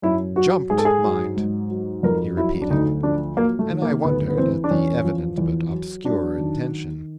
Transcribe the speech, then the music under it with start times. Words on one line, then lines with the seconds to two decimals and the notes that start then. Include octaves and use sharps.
"Jumped--mind!" he repeated, and I wondered at the evident but obscure intention.
0.02 F#2 E4
0.36 F#3 F#4
0.70 G#2 G#4
0.78 A4
0.85 G#4
1.03 F#3
1.37 G#2
1.70 F#3
2.03 F2 A#4
2.37 F#3 E4
2.62 D4
2.70 D2 D#4
3.03 F3 D4
3.37 F#3 A#3
3.59 A3
3.70 D#3
3.82 A#3
4.04 D2 B3
4.27 B3
4.37 E3 C4
4.64 D4
4.70 E2 C#4
5.04 F3
5.38 E2
5.71 F#3
6.04 F#3 D4
6.38 D#3